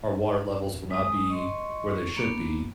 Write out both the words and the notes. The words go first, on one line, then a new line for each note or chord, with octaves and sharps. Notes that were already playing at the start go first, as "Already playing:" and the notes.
our water levels will not be where they should be,
G#3 C4 D#6
D#5 C6 C#6
A#3 B3 D4